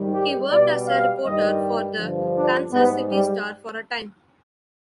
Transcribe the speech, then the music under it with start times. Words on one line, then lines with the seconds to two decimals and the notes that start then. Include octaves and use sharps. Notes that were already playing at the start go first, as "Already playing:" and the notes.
He worked as a reporter for the "Kansas City Star" for a time.
Already playing: G#2 D#3 G3
0.12 G4
0.49 B2 G3 D5
0.87 F5
1.23 G2 D#3 G3 D#5
1.98 G2 D3 F3
2.34 D4
2.71 G#2 G3 B3
3.08 G3